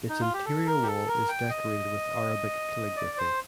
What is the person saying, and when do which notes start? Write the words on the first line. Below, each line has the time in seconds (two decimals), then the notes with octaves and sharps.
Its interior wall is decorated with Arabic calligraphy.
0.09 D#4
0.21 F4
0.33 G4
0.45 A4
0.67 A#4
0.82 G4
0.87 A4
1.08 A#4
1.29 G5
1.50 D#5
2.97 D5
3.18 C5